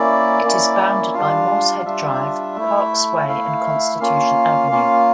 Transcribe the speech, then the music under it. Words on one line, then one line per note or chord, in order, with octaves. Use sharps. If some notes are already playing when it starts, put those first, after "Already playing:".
It is bounded by Morshead Drive, Parkes Way and Constitution Avenue.
Already playing: A#3 C#4 E4 D5
A#3 C#4 E4
G3 D4 F4 F5
F5
G3 D4 F4 E5
A3 E4
A3 E4 F5
A#3 C#4 F4 F5
A#3 C#4 F4